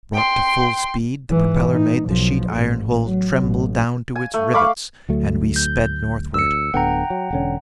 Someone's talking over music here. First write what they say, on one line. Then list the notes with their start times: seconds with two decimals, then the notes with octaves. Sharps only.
Brought to full speed, the propeller made the sheet-iron hull tremble down to its rivets, and we sped northward.
0.14 G5 C6
1.30 G#2 E3
1.72 D#4
2.06 B1 F3
2.52 A1
3.04 F#3
3.41 A1
4.16 G#5
4.34 A3
4.54 F5 B5 C#6 D6
5.09 D2 F#3 A3
5.56 G6
6.34 D2 E6 C#7
6.74 D1 D3 B3 F#5 G5 A#5
7.10 F#3
7.31 E1 D3 C#4